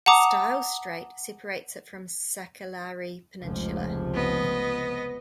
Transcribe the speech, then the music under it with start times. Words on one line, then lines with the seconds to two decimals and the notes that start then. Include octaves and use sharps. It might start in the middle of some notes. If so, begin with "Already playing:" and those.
Styles Strait separates it from Sakellari Peninsula.
0.06 F#5 A5 A#5 D6 D#6
3.41 F1 C#2 F3
4.15 B3 D#5